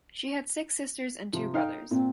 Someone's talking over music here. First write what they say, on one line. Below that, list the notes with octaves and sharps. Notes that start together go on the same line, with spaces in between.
She had six sisters and two brothers.
C3 F3
D#4 F5 G5
A#2 C4